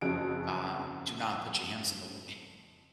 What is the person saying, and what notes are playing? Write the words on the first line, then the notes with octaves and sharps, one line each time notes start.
Um, do not put your hands in the wa
F#1 F2 C#4 F#4 G#4 D7